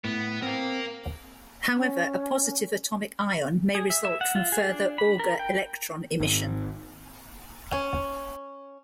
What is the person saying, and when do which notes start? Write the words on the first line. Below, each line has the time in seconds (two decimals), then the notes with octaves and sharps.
However, a positive atomic ion may result from further Auger electron emission.
0.05 A2 B3
0.42 C4 A#4 F5
1.74 C#4
3.75 G#4
3.90 E5
4.05 E5
4.21 F#5
4.35 F4
4.52 G#4
4.69 D4
4.98 B5
5.20 A#4
5.39 G5
6.20 G#1
7.72 C#4